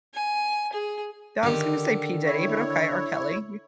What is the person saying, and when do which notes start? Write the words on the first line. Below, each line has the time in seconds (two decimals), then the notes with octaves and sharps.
I was gonna say P Diddy, but okay, R. Kelly.
0.15 G#5
0.73 G#4
1.43 D3 D#3 G4
2.25 E4 C#5